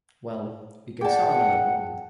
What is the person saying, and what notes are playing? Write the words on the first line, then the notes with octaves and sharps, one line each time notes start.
Well, we can sell another bond.
G#4 D5 F#5 G5 A5